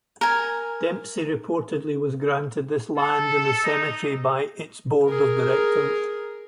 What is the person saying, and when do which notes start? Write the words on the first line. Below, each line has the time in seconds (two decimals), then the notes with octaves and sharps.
Dempsey reportedly was granted this land in the cemetery by its Board of Directors.
0.21 A#4 G#5
2.98 A4
3.64 D#4
5.06 G#4 A#4